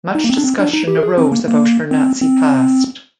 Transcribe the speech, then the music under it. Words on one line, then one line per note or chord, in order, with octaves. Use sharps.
Much discussion arose about her Nazi past.
D#4
A#3
C4
D4
C4
D4
D#4
G4
A#4
G#4
C4
A#3
A#3
C4
C4